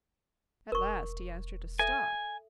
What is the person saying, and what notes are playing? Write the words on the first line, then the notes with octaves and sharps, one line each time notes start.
At last he asked her to stop.
E1 A#4 C#6
A4 E5 G#5